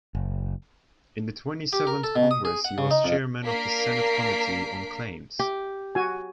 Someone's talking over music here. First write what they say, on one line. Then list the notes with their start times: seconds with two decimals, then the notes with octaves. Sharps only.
In the Twenty-seventh Congress he was chairman of the Senate Committee on Claims.
0.15 F#1
1.73 G4
1.87 A#4
2.04 A4
2.16 B2
2.31 D#6
2.45 G#4
2.65 F#5
2.78 C#3
2.91 D#4
3.04 F2
3.44 A#3 D4 A#4 B6 C7 D7
5.39 G4
5.95 F#4 G#5